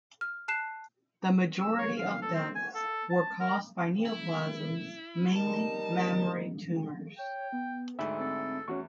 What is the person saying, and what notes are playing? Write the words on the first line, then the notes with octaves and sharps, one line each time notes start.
The majority of deaths were caused by neoplasms, mainly mammary tumors.
F6
A5 F#6 C7 E7
E6
C#5
F5
A4
C4
G#5
A4
A5
A#4
E4
G3 D#4 A#4 A5
C#5 G5
B3
D2 G#2 D3 E5 B5
C4 A4
E2 A3 C#4 F#4 C#6